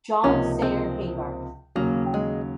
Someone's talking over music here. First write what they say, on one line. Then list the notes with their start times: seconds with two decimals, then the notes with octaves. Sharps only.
John Sayer Haygarth.
0.23 C#2 C3 F3 A#3 C#4 D#4
0.62 C4
1.76 D#2 C#3 F#3 A#3
2.14 G#3